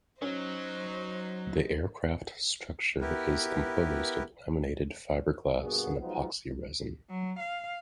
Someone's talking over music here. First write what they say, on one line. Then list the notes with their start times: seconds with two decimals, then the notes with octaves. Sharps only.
The aircraft structure is composed of laminated fibreglass and epoxy resign.
0.22 F#3 C#4 D#4 C5
3.01 B3 E4 G4 A#4 B4
5.61 G2 B2 A#3 B3 F#4 G#4
6.00 F3 F#3 G#3 B3 D#4 F4
7.10 F#3
7.40 F5